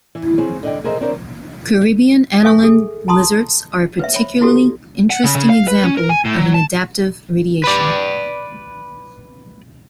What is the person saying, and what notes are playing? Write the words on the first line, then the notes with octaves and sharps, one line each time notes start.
Caribbean anoline lizards are a particularly interesting example of an adaptive radiation.
E3
C4 G#4 C#5
D3 D#5 G5
G#4 A#4 C5 D#5 E5
C4 D4 A#4 C5 C#5 E5
A4 B4 E5 G#5 C#6
G#4 A4
A5 A#5 C6 D#6
B4 C#5 E5
C5 C#5 B5
E4 F#4 G4 A4
F#5
C#3
C#3
F5
B4
C#4
A#4
G#5
A2
F#3
A5
B4 D5